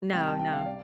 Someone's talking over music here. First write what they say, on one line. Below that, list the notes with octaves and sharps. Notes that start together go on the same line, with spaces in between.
No, no.
C2 C3 G3 G5
A5
G5
F5
D5